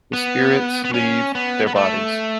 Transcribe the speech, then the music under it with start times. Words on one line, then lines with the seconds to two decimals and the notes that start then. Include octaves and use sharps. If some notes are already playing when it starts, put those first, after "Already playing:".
The spirits leave their bodies.
0.13 B3
0.85 B3
0.94 C#4
1.35 B3
1.67 B3
1.76 A3